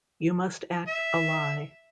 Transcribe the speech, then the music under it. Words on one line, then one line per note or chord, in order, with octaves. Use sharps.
You must act a lie.
E5